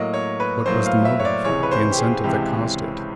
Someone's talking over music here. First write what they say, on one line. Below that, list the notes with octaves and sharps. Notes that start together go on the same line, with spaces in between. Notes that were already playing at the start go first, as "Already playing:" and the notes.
What was the motive, the incentive that caused it?
Already playing: A2 F#3 A#3 D#5
C#5
B4
A2 F#3 A#3 C5
F5
E5
C#5
D5
C#2 C3 E3 G#3 C#5
B4
C5
G4
G#4
C#2 C3 E3 G#3 G4